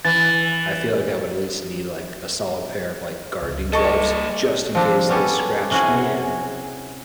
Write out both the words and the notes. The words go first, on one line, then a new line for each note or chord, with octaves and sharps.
I feel like I would at least need, like, a solid pair of, like, gardening gloves just in case they scratched me, and
E3 A6
C#2
G3 A4 D#5 C#6
F3 C4 D4
G3 B3 C#4 G4 A4
C3 C#4 E4 F#4 G#4